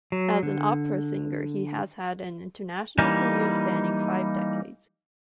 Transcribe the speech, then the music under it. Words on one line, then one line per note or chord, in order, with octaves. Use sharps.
As an opera singer, he has had an international career spanning five decades.
F#3
D3
E3 G3 A#3 D#4